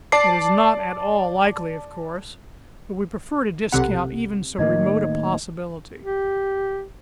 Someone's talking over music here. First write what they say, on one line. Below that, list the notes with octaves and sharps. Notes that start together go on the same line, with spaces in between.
It is not at all likely, of course; but we prefer to discount even so remote a possibility.
D5 A5 D6 C7
B1 C3 C4 G4 A4 F#5
A2 D#3 A#3 D#5 G#6
G4